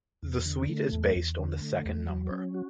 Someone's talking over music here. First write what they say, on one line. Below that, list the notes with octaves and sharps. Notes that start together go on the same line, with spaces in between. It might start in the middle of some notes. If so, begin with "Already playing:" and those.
The suite is based on the second number.
E2
D3
A3
E2
E2
D3
A3
E2
F#3
C#4
F#4